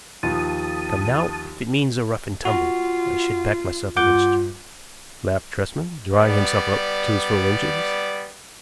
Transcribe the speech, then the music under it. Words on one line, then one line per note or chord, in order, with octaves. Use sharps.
"Come, now, if it means a rough-and-tumble, I should back myself against you," laughed Tresman, drawing himself up to his full inches.
D#2 F3 A5 D#6
F4 F#4
G2 F4 F#5 D6 G6
G3 B3 D5